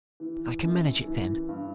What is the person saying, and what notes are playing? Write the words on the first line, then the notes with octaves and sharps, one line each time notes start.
I can manage it then.
E3
F#2
E3
G2